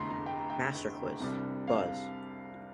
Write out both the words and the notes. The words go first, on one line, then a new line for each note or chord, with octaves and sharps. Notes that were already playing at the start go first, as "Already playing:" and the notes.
Master Quiz", "Buzz!
Already playing: F1 E2 D3 A3 A#5 C6
A#5
G5
G5
C2 C3 G3 D4
F5